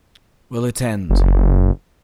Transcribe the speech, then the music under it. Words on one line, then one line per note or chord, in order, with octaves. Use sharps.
Will it end?
F#1